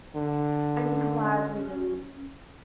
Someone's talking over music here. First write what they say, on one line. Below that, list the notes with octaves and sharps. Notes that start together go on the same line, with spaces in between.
I'm glad we didn't.
D3
C#4